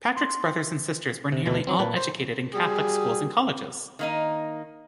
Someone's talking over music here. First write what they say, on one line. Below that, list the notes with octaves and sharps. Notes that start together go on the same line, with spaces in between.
Patrick's brothers and sisters were nearly all educated in Catholic schools and colleges.
C6
C3
D2 B2 E3
F#3 C4
A#2 B4 A5
C5
G3 F#4 G#4
D#3 A#3 D#4